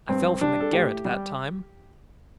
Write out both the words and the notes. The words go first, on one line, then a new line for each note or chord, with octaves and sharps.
I fell from the garret that time.
G2 C4
G3 D4
A4
A2 G4
G3